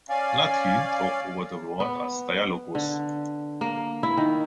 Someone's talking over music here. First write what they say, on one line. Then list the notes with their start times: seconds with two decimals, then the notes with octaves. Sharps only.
Latin took over the word as "dialogus".
0.09 C#4 D5 F5 G#5
1.80 B3
2.75 D3
3.61 A#3
4.03 E4
4.17 D#3